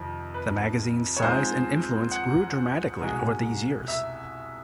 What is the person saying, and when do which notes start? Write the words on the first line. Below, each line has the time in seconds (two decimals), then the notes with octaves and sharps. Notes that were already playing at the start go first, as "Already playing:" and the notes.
The magazine's size and influence grew dramatically over these years.
Already playing: F2 C3 D#3
0.34 B4
1.17 C#5
1.23 G#2 F3 G#3 C4 D#4 C5
2.11 F#5
3.00 C2 B2 G#3
3.88 E5